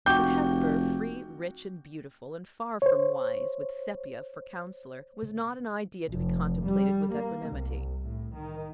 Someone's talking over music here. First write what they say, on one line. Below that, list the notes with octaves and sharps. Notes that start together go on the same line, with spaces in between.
But Hesper, free, rich, and beautiful, and far from wise, with Sepia for counselor, was not an idea to be contemplated with equanimity.
F1 F#4 G5 D6 G6
C5 C#5
F1
G3
A#3
C2
A2
D#3